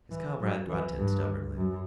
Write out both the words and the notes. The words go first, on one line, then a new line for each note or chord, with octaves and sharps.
His comrade grunted stubbornly.
E3
F#3
E3
G2
F#2